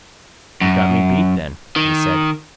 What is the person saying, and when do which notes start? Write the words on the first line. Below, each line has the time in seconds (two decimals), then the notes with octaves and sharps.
"You've got me beat then," he said.
0.61 F#2
1.76 D#3